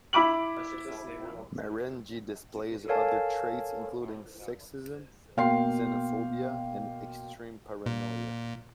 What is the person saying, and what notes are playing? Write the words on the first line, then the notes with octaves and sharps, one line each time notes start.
Marenghi displays other traits including sexism, xenophobia, and extreme paranoia.
E4 B5 D6 F#7
A4 A#4 C#5 F5 G#5 A5
B2 A#3 F5 G5 C6 C7
A#2